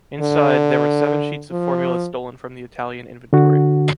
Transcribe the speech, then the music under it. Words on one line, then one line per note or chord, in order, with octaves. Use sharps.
Inside, there were seven sheets of formulas stolen from the Italian inventory.
D3
F3
D3 F#4